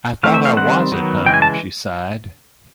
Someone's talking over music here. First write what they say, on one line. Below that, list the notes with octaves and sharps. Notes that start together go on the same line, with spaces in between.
'I thought I was at home,’ she sighed.
E3 A3 C4 F5
E5
F5
D#3 G3 C4 F#5
D#3 F#3 B3
C#3 E3 G#3 G5
G#5
A5